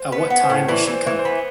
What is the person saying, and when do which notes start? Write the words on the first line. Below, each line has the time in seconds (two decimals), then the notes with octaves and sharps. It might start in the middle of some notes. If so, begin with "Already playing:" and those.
At what time is she coming?
Already playing: C5
0.12 B3
0.18 B4
0.30 B3
0.44 C5
0.50 A2
0.69 E3 D5
0.87 E3
0.94 C5
1.07 E3
1.19 C5
1.25 B3